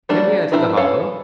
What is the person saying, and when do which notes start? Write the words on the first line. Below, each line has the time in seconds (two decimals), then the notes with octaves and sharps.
"Can we enter the harbour?"
0.09 F#3 G3 A3 A#3 D4
0.52 F3 D4 E4 A#4 B4
0.77 C#4 A4 B4 C#5 F5